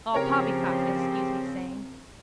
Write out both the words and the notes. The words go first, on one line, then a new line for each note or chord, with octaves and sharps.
All poppycock, you'll scuse me saying.
C#3 F3 C4 G4 A#4 C#5